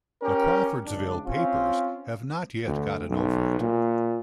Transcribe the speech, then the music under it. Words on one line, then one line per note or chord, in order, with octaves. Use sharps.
The Crawfordsville papers have not yet gotten over it.
C#4 G4 A#4
C#2 D4
C4 C#4 F4
D2
B1
A#2